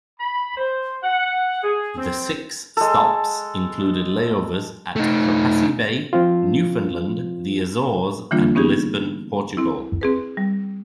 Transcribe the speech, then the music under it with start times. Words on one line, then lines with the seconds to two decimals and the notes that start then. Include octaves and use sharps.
The six stops included layovers at Trepassey Bay, Newfoundland, the Azores, and Lisbon, Portugal.
0.20 B5
0.57 C5
1.04 F#5
1.64 G#4
1.98 C4
2.77 G#3 A4
4.96 A3 D#4
6.13 F3 C4 F4
8.31 D3 E3 G3 A#3 D4 F4
8.55 B3 C#4 D#4 G4 G#4
9.57 C4 E4
10.01 C4 G#4 B4
10.37 G3